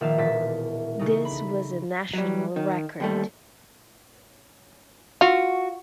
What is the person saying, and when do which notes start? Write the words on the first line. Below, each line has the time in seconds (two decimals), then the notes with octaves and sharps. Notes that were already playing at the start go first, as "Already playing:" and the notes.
This was a national record.
0.01 A#1 D#3 E5 F5 A5 E7
0.18 E1 A#2 D4 A5 B6
0.99 C#3 A3 D#4
1.25 B5
2.13 F#3 G3
2.56 D#3
3.00 D#2 G3 A3
5.21 F4 F#4